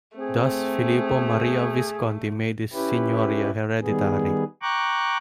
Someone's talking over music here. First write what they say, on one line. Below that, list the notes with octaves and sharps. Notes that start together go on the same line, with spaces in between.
Thus Filippo Maria Visconti made his signoria hereditary.
A3 C4 G#4
C#4 E4 G4 B4
D#3 G3 B3 G#4
G5 A#5 C#6 D6 F#6